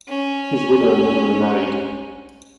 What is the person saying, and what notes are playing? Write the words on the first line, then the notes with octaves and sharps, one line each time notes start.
His widow never remarried.
C#4